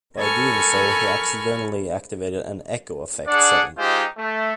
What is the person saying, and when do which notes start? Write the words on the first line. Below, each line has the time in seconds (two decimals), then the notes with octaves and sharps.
By doing so, he accidentally activated an echo effect setting.
0.18 A4 A#4 G#5 B5 C#6 F6
3.27 D4 G#4 D5 F#5
3.77 G#3 D#4 F4 G4 C5
4.17 A3